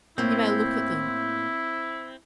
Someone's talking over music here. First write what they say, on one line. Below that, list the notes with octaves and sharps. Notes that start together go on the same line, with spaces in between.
"You may look at them."
A2 A#3 C4 E4